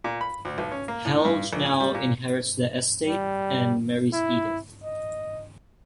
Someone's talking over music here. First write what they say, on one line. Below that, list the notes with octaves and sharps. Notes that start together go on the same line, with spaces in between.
Helge now inherits the estate and marries Edith.
A#2
B5
D2
B1
C#4
A#3
A2
G2
A#1
G#5
G3
A#2
G3
E4
D#5